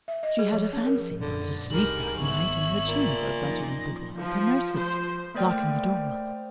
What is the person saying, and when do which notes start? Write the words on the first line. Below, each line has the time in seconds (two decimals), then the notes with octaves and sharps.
She had a fancy not to sleep that night in her chamber, but in the boudoir with her nurses, locking the door on them.
0.08 E5
0.23 D#5
0.39 G#4
0.52 F3
0.73 C#4
0.86 A#4
1.20 A#1 F#2 D3 F3
1.70 C2 G#2 G3 A#4 F#7
2.18 G#1 B3 C#5 E5
2.87 A#2
3.44 F3 F#3 C#4 D#4 A#6
4.17 F3
4.76 C5
5.34 A3 A#3 C5 D5 G5 F6